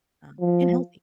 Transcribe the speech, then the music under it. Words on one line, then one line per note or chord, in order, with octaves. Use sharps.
uh, and healthy.
F3